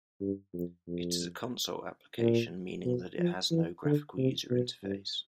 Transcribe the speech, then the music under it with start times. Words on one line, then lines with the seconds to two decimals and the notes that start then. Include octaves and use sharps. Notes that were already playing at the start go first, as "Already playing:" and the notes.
It is a console application, meaning that it has no graphical user interface.
0.21 G2
0.54 F2
0.87 F2
2.19 A#2
2.85 B2
3.19 F3
3.51 E3
3.85 D3
4.18 C3
4.51 B2
4.84 G2